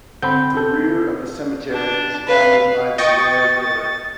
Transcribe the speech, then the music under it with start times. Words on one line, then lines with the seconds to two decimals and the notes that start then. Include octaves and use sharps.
The rear of the cemetery is bounded by the Ware River.
0.22 D3 C4 B5 G6
0.57 A4 G6
1.72 D4
2.27 B4 F5
2.98 D#5 G5 C#6 A6